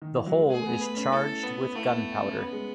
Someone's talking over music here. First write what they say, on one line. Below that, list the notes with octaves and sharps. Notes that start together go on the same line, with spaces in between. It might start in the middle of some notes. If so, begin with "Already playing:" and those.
The hole is charged with gunpowder.
D#3
E3
F#3
G#3
A3 G#4
B3
A3 B4
C#4
E4 A4
B3
A3 E4
B3
C#4
B3
G#3